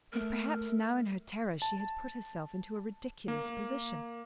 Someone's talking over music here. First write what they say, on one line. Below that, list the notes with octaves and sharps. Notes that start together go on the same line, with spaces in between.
And perhaps now in her terror she had put herself into a ridiculous position.
A3 A#4
A5
A#3